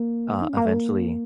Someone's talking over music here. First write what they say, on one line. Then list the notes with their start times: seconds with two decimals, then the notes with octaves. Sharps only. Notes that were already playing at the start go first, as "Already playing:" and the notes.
uh, eventually,
Already playing: A#3
0.42 D#4
0.49 C#4
0.57 A#3
0.65 A3
0.74 A#3